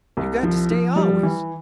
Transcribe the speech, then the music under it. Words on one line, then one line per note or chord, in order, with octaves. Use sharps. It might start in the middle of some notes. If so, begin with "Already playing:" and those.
You got to stay always.
C2
F3
F3
G3
E3